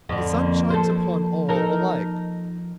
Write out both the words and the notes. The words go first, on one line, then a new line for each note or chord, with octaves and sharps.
The sun shines upon all alike!
F2 D3
F3 A#3
A4 C5
D#4 A4 A#4